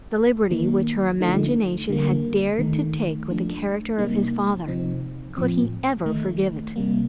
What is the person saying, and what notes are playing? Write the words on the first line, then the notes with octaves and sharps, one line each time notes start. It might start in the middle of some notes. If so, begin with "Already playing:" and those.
The liberty which her imagination had dared to take with the character of his father--could he ever forgive it?
D#3 A#3 D#4
D3 F3 A3 D#4
D3 G3 A#3
D#3 A3 D#4
F3 A3 D4
C3 G3 A#3 D#4
C3 F3 C4 D#4
A2 F3 C4
D#3 A3 D#4
C3 G3 A#3